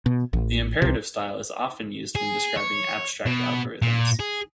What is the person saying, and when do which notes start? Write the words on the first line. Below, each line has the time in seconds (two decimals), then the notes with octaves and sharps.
The imperative style is often used when describing abstract algorithms.
0.06 B2
0.33 A1
0.82 C2 C3
2.16 G#4
2.57 C#5
3.26 B2
3.82 A#2
4.19 G#4